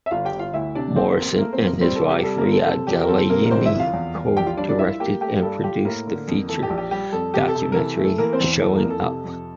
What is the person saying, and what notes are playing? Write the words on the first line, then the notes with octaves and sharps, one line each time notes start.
Morrison and his wife Riad Galayini co-directed and produced the feature documentary "Showing Up".
E5
G1 F4 F5
G4 G5
G1
F4 F5
D2 E4 E5
C3 D4 D5
A1 C4 C5
A#3
A3 A#3 A#4
C4 C5
F2
A#3 A#4
G3 C4 C5
A4
C3
G4
G3 A4
A#3 A#4
C4
A4
C3 A4
E2 G4
A#4
C4 A4
C3 A#3 A#4
A#4
G1 C4 C5
E4 E5
F2
F4 F5
E2
E2
A#1 G4 G5
F4 F5
G3 D4 D5
D4 D5
E4 F4 E5
A#3 G4 G5
A3 G4 G5
G2 A4
F4 G4
A2 A#3 A#4
D3
F2
E3 A4
G4
A#1
G4
G3 G4
F2 A4
C3 G4
A4
C3
A4
A#4
E3 A4
A3
A4
E3 A#3 A#4
C4 C5
E2
E3 A4
A#3 A#4
F2
A4
C3
F2